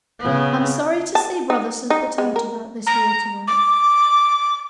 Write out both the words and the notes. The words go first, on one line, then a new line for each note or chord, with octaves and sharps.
"I'm sorry to see brother so put out about this water work."
C#3 B3
A5
D#4
D#4
G#3
A#4
A#5
D6